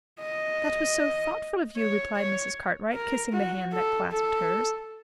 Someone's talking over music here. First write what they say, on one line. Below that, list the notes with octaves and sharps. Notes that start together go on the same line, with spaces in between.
"That was so thoughtful of you!" replied Mrs. Cartwright, kissing the hand that clasped hers.
D#5
C#5
C#5
A#4
F#4
A4
A4